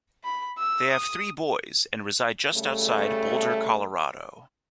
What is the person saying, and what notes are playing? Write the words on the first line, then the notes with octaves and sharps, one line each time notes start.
They have three boys and reside just outside Boulder, Colorado.
B5
E6
D#6
C#3 G3 A3